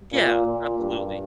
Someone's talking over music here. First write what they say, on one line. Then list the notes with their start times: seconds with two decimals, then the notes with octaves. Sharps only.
Yeah, absolutely.
0.12 A#2
0.46 A#2
0.79 G2